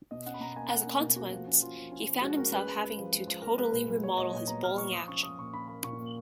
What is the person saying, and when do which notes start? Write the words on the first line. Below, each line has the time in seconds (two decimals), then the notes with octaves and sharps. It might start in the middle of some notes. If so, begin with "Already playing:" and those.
As a consequence, he found himself having to totally remodel his bowling action.
0.11 B2 D#5
0.26 C#4 F#5
0.34 B5
0.41 B2 A#5
0.56 A#3 G#5
0.71 A#3 F#5
0.86 C#4
1.01 B2
1.16 A#3 F#4
1.32 F3
1.47 C#4
1.61 F3 F4
1.77 F3
1.92 C#4
2.07 F3
2.21 G#3 F#4
2.37 C#4 A#4
2.52 G#3 B4
2.67 G#3
2.83 G#3
2.97 F3
3.12 G#3
3.27 F3
3.42 F3 A#4
3.57 G#3 B4
3.72 A#2
3.88 F#3
4.03 A#2 C#5
4.18 A#2 D#5
4.33 A#2 C#5
4.48 B3 A#5
4.63 A#2 F6
4.78 A#2 C#6
4.93 F3 D#6
5.08 C#4 C#6
5.23 F3 D#6
5.39 A#2 C#6
5.53 C#4 B5
5.68 A#3 B5
5.84 A#2 C#6
5.98 A#3